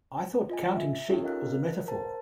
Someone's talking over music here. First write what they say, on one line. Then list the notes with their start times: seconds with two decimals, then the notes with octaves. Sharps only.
I thought "counting sheep" was a metaphor.
0.50 F4 D#5 G#5
0.76 E5
1.09 C#4 D#4 F4 G4 A4 C#5
1.23 A#4 D#5 F5 F#6
1.87 A#4 C5 A5